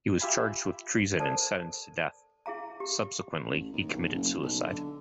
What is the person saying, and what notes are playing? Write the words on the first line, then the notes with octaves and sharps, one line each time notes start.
He was charged with treason and sentenced to death; subsequently, he committed suicide.
F4 G4 E5 F5 G#5 B5
A4 A#4 C5 D5 A5
E4 G#4 F5 A#5
G4
A1
D#2
B1
F#1
B1
D3